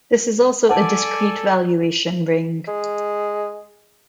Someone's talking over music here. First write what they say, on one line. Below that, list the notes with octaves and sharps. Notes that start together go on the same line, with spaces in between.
This is also a discrete valuation ring.
A4 D5 F#5 G#5 A5 D6
G#3